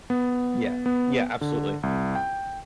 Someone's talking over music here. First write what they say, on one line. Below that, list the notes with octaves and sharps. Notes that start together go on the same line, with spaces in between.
Yeah, yeah, absolutely.
B3
B3
D3
C2
G5